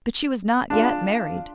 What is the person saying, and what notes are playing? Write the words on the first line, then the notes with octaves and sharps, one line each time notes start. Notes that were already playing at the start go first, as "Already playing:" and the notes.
But she was not yet married.
D4 F4 G#4